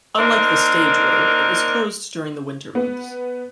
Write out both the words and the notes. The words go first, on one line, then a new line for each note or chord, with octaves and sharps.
Unlike the stage road, it was closed during the winter months.
A#3 C4 D4 D#4 A#4
B3